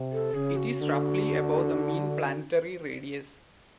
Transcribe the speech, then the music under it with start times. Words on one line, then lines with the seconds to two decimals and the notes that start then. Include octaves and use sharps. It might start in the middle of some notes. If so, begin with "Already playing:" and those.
It is roughly above the mean planetary radius.
Already playing: C3
0.12 A4
0.34 C#3 G#4
0.57 F#4
0.79 D3